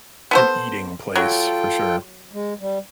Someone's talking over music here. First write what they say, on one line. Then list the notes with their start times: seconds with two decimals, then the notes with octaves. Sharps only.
an eating place for sure.
0.31 B3 A4 C5
1.15 F#3 F4 A4 G5
2.33 G#3
2.60 G3